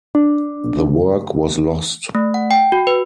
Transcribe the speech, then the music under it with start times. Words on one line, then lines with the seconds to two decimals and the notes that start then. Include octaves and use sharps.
The work was lost.
0.15 D4
2.15 A3
2.34 F#5
2.51 G5
2.72 F#4
2.87 B4